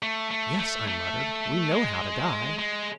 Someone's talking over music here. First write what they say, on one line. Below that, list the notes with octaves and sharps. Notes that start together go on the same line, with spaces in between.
"Yes," I muttered, "we know how to die!"
A3
A3
A3
A3
G#3
G#3